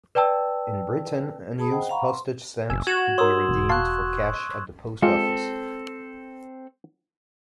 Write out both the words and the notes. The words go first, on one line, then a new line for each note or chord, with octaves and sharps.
In Britain unused postage stamps could be redeemed for cash at the post office.
B4 D5 G5 A5 E6
G#4 A5 B5 D#6
C5 D#5 F#5 G5
F5 F#5 A#5 B5 C#6
C6
F#1 G#5 E6
F#4 G#6 E7 F#7
A#4 C#5 C6 D#6 E6
E1
F5 A5 C6 C#6 F#6
G#3 C4 F4 G4 A4